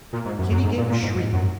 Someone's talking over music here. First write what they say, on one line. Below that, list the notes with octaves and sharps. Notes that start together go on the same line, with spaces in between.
Kitty gave a shriek.
A#2
G#2
F#2
F#2
G#2
A#2
A#2
G#2
G#2
F#2